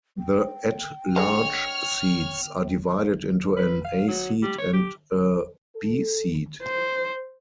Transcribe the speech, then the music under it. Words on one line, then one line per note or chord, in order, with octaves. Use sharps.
The at-large seats are divided into an "A" seat and a "B" seat.
G5
D3 G#3 C#5 F6
B4
F5
F#3
G3
C#5
G4
A4
C5